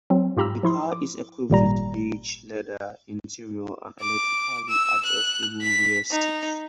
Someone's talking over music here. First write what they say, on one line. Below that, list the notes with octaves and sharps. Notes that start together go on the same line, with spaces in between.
The car is equipped with beige leather interior and electrically adjustable rear seats.
F#3 C4
G#2 F4 G4 A#5 B5 E6
F3 E4 C6
D6
G#1 A#2 G3 A#5
D6
E6
F#6
B6
D#4